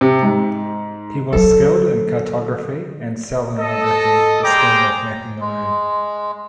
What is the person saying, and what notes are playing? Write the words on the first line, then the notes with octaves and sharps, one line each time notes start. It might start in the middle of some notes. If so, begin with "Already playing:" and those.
He was skilled in cartography and selenography, the skill of mapping the Moon.
C3
G#2
D3 F#3 A4
A4 D#5
G3 G#4 C5 G5 A#5 D6
G#3